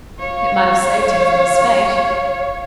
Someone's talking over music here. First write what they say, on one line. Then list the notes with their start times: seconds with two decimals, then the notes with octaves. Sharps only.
"It might have saved him from his fate."
0.19 C#5 F5